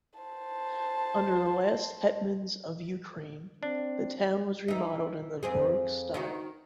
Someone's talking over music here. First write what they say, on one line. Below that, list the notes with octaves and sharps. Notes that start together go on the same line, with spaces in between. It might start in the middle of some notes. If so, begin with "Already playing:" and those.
Under the last hetmans of Ukraine, the town was remodeled in the Baroque style.
C5 A5
C4 D4
E3 D#4
F2 C4 G#4
D#3 D#4 F#4